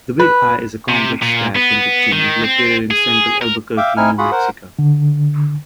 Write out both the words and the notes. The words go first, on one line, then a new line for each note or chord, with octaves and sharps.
The Big I is a complex stack interchange located in central Albuquerque, New Mexico.
B4
C3
A#2
B3
D#3
C4
G#4
A#4
E5 F5 G5 D6
C4 D#4 E4 G#5 F6
F4 F#4 G#4 F#5 B5
A#4 C5 F#5
D3